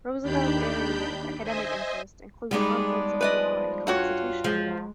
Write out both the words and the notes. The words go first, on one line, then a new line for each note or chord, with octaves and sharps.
Roosevelt's areas of academic interest include conflicts of law and constitutional law.
D#2 D#3 D4 G4 B5 G6
C5 D#5 E5 G#5
G3 G#3 B3 D4 D#4 G#4
F3 B4 D5 D#5
G2 F4 F#4 C#5
F3 G#3